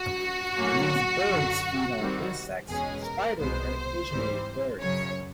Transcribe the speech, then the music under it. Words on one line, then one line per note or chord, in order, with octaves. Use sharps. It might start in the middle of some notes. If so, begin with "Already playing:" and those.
These birds feed on insects, spiders and occasionally berries.
Already playing: F#4
A2 F#3 A#3 C#4
F#2 D3 F#3
C3 D#3 G3 C4
E2 B2 G#3 C#4 G#4
A#4
C2 B2 G#3 B3 C5
G#2 E3 G3 C4
F#2 C#3 F#3 C#5